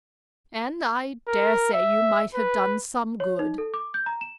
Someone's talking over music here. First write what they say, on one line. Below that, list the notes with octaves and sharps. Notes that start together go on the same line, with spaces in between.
And I dare say you might have done some good.
A#4
E5
B4
C#5
D#4
A4
D6
G6
A#5
E7